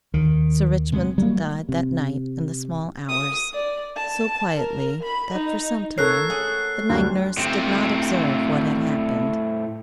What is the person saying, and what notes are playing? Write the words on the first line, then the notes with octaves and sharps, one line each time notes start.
Sir Richmond died that night in the small hours, so quietly that for some time the night nurse did not observe what had happened.
D#2 D#3
C3 G#3 B3
F#3 G3 A#3
C3
D#6
D5
A5
A#4
B5
D#4
A4 A#4 C#5 F#6 C7
G#4 F#5 G#5
D2 F#3 G3
A2 C4